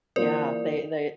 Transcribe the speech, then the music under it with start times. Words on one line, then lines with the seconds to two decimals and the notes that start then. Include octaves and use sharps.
Yeah, they they
0.16 E3 A#3 F4 A#4 C5 D5